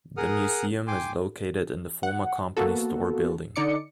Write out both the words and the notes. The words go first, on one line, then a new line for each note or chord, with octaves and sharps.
The museum is located in the former company store building.
G#4 A#4 F#5 D#6 F6
G5 G#5 C6 D6
F#5
A#3 B3 F#4 A4
D3 D#4 D5 D6 C#7